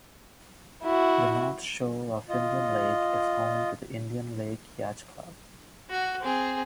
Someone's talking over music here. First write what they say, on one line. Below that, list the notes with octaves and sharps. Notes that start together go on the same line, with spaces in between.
The north shore of Indian Lake is home to the Indian Lake Yacht Club.
E4 F#4
F4 D#5
F#4
C4 G#4